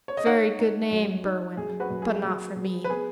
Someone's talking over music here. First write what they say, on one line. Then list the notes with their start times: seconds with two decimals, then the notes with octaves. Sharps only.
A very good name, Berwin, but not for me.
0.08 C#5
0.17 D#5
0.26 D#4 C#5 F#5
0.59 D#4
0.91 F#2
1.25 D#4
1.57 F#2 G#4
1.80 F#4 B4
1.90 F#2
2.02 G#4
2.24 F#3
2.56 F#3
2.84 B4
2.90 B3 G#4